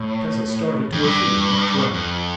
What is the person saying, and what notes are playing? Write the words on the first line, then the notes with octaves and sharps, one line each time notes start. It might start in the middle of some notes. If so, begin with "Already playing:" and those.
Tessa started to her feet and looked round.
Already playing: A2
F2
G2
F2